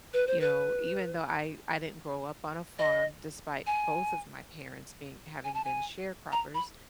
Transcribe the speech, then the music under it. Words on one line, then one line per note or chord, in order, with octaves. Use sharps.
you know, even though I I didn't grow up on a farm despite both of my parents being having been sharecroppers,
B4
C5
B4
D#5
G#5
G#5
A5
G#5
A#5
B5